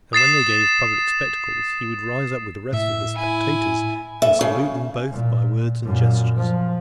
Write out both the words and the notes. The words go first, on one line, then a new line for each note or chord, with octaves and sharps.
And when they gave public spectacles, he would rise up with the rest of the spectators, and salute them both by words and gestures.
D#6 A6 C7 E7
A2 E5
E4 G#5
E5
C#3
A#2
F#2 A#2
F3